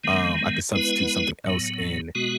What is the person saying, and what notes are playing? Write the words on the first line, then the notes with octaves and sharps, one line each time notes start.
um I could substitute something else in."
D#3 G#3 B3
G#3 B3 E4 B4
A2 F#3 B3
B2 G#3 B3 F#4